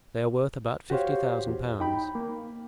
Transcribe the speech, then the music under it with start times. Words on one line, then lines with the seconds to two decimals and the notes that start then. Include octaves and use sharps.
They are worth about fifty thousand pounds.
0.90 F#4 G4 C5 C#5 F5
1.47 E2
1.80 D#4 G5 B5
2.15 A#3